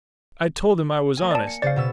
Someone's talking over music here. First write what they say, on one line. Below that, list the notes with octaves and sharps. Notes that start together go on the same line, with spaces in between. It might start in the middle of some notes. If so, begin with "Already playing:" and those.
I told him I was honest.
A#3 G#5
D5 A5
C#7
C#3 C5 D5 F5 A6
B2 B3 E6